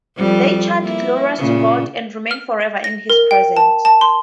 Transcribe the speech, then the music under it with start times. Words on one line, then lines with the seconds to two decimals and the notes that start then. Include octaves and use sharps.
They chant glorias to God and remain forever in his presence.
0.17 F2 G3
0.83 A#3 E4
1.38 A#2 C#3
2.31 F6
2.84 A#6
3.10 A#4
3.31 G5
3.57 A5
3.85 A5
4.01 C6